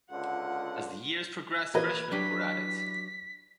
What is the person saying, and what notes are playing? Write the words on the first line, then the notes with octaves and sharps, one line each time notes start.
As the years progressed, freshmen were added.
C#2 D3 F4 F#5
E3 A#3 B4 D#5 G#6
F#3 D4 G4 B6